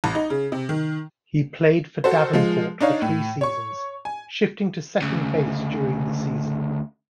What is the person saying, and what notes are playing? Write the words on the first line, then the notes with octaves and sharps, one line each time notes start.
He played for Davenport for three seasons, shifting to second base during the season.
A1
D#4
C#3
C3
D#3
F#4 A4 C5
F3 G#3 F4
D4 D#4 C#5 F5
A2
C#5 C#6
G#5
D2 C#3